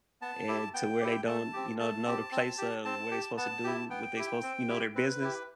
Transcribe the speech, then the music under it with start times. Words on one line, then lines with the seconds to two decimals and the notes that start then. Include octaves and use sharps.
and to where they don't, you know, know the place of where they're supposed to do, what they supposed you know, their business,
0.22 B3 A5
0.48 E4 G4
0.74 B3 G5
1.01 E4 G4
1.27 A3 A5
1.53 C4 G4
1.80 A3 A5
2.06 C4 G4
2.32 C4
2.58 G4
2.85 C4 A5
3.11 G4
3.37 B3 A5
3.64 E4 G4
3.90 B3 G5
4.16 E4 G4
4.43 C4
4.69 E4 G4
4.95 C4 B4
5.21 E4 G4